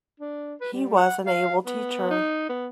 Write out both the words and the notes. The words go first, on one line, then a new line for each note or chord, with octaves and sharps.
He was an able teacher.
D4
B4
G3
F#5
F5
B3
D#4
B3